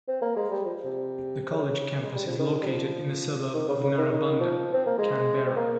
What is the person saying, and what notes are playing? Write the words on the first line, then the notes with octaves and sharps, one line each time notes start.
The college campus is located in the suburb of Narrabundah, Canberra.
C4
A#3
G#3
G3
F3
C3
C#3
G#3
G3
F3
D#3
G3
F3
D#3
C#3
C#3
D#3
D#3
F3
C4
A#3
G#3
C4
A#3